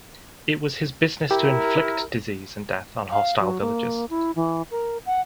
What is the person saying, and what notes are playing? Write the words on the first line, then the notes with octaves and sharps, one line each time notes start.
It was his business to inflict disease and death on hostile villages.
E4 G4 A#4
F5
F#3
A#3
E4
E3
A#4
F#5